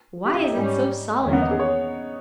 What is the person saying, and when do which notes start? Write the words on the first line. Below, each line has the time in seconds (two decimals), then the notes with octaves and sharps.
Why is it so solid?
0.26 G4
0.34 E4
0.44 D#4
0.53 G#2 G3 C#4
1.24 E2 D#3 A#3 C#4
1.33 B3
1.42 D#4
1.51 G#4
1.60 C#5